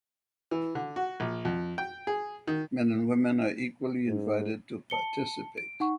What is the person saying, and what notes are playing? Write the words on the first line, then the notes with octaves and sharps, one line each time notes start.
Men and women are equally invited to participate.
E3
D3
F#4
A#1
F2
G5
G#4
D#3
G#2
A5 C#7 G7
D7
D#4 F#5 C#6